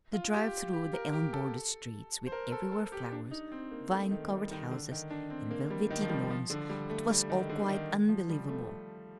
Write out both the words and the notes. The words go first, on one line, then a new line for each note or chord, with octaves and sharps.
The drive through the elm-bordered streets with everywhere flowers, vine-covered houses, and velvety lawns--it was all quite unbelievable.
F4
G4
G4
A#4
G4
A4
C5
A#4
A4
A4
G4
D4
D#4
C4
A#3
A3
D#3
G3
D#3
D3
D#3
D4
C4
A#3
G3
D#3
F3
G3
F3
D3
G3
A3
G3
D#3
D3
D3
D#3
F3
G3
A3
A3